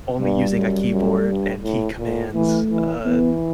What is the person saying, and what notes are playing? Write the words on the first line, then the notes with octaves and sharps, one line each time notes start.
only using a keyboard, and key commands, uh,
G2 G3
F#2
F#2
G2
A2
A#2
E3 A3
E3
E3 B3